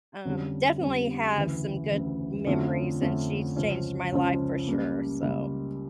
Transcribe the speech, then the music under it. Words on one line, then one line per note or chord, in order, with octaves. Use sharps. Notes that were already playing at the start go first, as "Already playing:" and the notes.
um, definitely have some good memories, and she's changed my life for sure. So
F2 D3 G3 C#4 G4
F2 D3 G3 C#4 G4
D2 C#3 E3
D2 C#3 E3
F2 D3 A3 C#4 F4
F2 D3 A3 C#4 F4
C#2 C#3 F3 C#4
C#2 C#3 F3 C#4
C#2 C#3 G3 A#3
C#2 C#3 G3 A#3